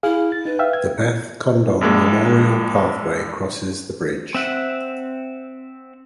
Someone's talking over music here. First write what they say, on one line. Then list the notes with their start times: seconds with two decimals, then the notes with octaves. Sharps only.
The Beth Condon Memorial Pathway crosses the bridge.
0.03 E4 G#4 F5
0.32 A6
0.45 D#4 B4
0.59 E5 F5 G5
0.73 G#6
1.81 A#1 G2 G#3 A#3
4.35 C4 E5 F#5